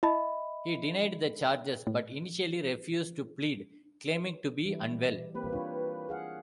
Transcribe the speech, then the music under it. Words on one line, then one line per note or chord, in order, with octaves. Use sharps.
He denied the charges but initially refused to plead, claiming to be unwell.
E4 D#5 E5 A5 B5
A2
E3 G3 E4
A#3 C4 G4 B4
D4 F4 C#5
G#4 F5 F#5